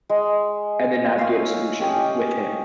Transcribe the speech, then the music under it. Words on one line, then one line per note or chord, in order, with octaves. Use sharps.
and then navigate a solution with him,
G#3
C#5 E5 F5 C6
C#4 G4 D#5